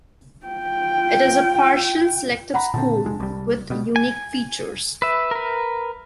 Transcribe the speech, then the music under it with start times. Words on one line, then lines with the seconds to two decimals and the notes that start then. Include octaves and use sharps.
It is a partial selective school with unique features.
0.46 F4 G5
2.54 F#5 A#5 B5
2.74 A#2 D3 C4 A5
3.05 F1 G#3
3.20 C2 G3
3.70 B2 G3
3.96 G#5
5.02 B4 E5
5.31 A#4 B4